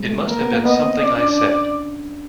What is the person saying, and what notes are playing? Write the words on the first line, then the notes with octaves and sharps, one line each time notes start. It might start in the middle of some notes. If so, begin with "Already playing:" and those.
It Must Have Been Something I Said!
Already playing: G3 G#3 A#3 C4
A3
A#3 A#4
B3
A#3
B3 D#5
C4
C#4 D5
D4
D4